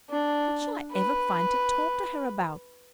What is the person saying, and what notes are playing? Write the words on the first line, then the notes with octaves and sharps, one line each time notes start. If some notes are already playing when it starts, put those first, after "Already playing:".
What shall I ever find to talk to her about?
D4
B4